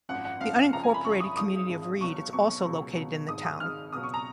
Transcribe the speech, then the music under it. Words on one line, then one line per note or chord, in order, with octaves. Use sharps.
The unincorporated community of Reed is also located in the town.
G#1 F#2 F3 F#5
F#5
G#1 F#2 F3 F5
F#1 F#2 F3 A#5
G#5
B5
F#1 F#2 F3 C#6
D#6
G#1 G#2 F3 D#6
G#1 G#2 F3
B1 B2 F#3 C#6
B1 B2 F#3 C#6
C#2 B2 F#3
C#2 B2 F#3
G#1 G#2 D#3 D#6
D#6
G#1 G#2 D#3 F6
C#2 B2 F#3 D#6
C#6
A#5